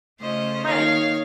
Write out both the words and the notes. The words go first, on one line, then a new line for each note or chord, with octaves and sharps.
Right, it's
C#3 A3 C#4 F4 C5 D#5
D#3 A#3 D#4 C#5 F5